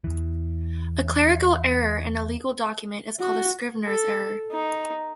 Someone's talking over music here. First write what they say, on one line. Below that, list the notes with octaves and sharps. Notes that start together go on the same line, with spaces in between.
A clerical error in a legal document is called a scrivener's error.
E2 E3
F#4
A4
D#4